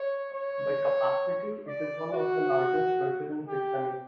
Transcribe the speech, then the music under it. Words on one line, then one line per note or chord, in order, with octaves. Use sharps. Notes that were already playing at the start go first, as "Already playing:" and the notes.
By capacity, it is one of the largest churches in Saxony.
Already playing: C#5
C#5
D5
F#4
G4